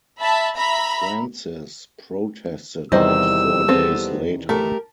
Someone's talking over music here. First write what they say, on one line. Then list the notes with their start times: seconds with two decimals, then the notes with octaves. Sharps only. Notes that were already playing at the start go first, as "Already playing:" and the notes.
Francis protested it four days later.
0.20 E5 A5 B5
0.56 E5 A#5 B5
2.92 E2 C3 D#3 G3 C5 D#5 E6
3.68 B3 C4 A4
4.49 A3 G4 A#4